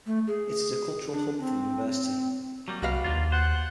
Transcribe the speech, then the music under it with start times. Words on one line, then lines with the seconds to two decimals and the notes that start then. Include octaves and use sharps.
It is a cultural hub for the university.
0.06 A3
0.27 G#4
1.13 D4
1.41 C4
2.68 F#3 G3 A#3
2.82 C2 F#4 B4 F5
3.04 D#2 A#3 D4 F4
3.32 C5 F#5